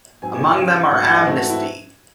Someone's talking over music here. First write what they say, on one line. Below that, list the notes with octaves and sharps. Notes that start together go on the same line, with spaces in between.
Among them are Amnesty!
G#2 F#3 C4 G#5
C#3 F#3 C4
G#2 F#3 A3 C4 F#5
F#5
D#5
G#2 E3 A3 C4 E4
F#4
E4